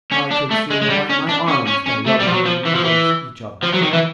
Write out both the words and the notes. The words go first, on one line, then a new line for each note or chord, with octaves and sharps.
"I could sooner light my arms by rubbing them against each other!"
C#4
D4
A3
G#3
G#3
G3
C#4
D4
C#4
C#4
C#4
A3
G3
F3
F#3
F3
E3
F3
E3
F3
F#3
D#3
E3